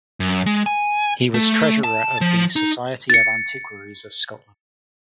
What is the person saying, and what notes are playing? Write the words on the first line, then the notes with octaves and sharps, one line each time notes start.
He was Treasurer of the Society of Antiquaries of Scotland.
F#2
G#3
G#5
A3
A5
F3
D#4
A6 C#7